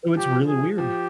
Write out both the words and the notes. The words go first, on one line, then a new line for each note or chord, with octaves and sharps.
So it's really weird.
F3 G4
G#4
F3 G4